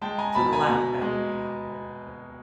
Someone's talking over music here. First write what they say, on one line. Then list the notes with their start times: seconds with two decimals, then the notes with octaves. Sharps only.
to the left on the map. It it's
0.01 G#3 G5 A5
0.18 G#5 A#5
0.35 B2 A5 B5
0.53 G#5 A#5
0.68 B2
1.02 G#3